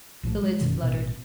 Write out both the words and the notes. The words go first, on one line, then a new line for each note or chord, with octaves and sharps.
The lids fluttered.
A#1 A2 D#3 A3
G3 G#3
F#1 F#2 B2 D#3
A1 B2